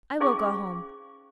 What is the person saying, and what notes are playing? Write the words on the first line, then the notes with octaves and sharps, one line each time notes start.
"I will go home."
C#4 G#4 C5 F5 C#6 D6